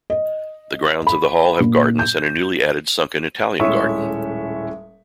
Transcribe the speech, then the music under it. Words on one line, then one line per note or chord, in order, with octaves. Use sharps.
The grounds of the hall have gardens and a newly added sunken Italian garden.
D#5
B5
A#2
G6
D#1 A2 G#3 C#4 E5 C#6